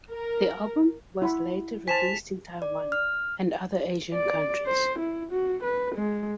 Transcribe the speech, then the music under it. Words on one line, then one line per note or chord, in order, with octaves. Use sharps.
The album was later released in Taiwan and other Asian countries.
A#4
E4 F#5 B5
C5 G#5 A5 B6 E7 F7
D5
F6
D5
C5
E4
F#4
B4
G#3